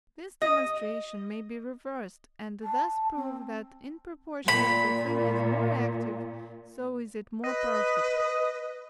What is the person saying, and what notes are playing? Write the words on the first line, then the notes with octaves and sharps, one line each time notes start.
This demonstration may be reversed, and thus prove that, in proportion as a thing is more active, so is it more perfect.
D#5
A5
C4
A#2 B5
B4 D#5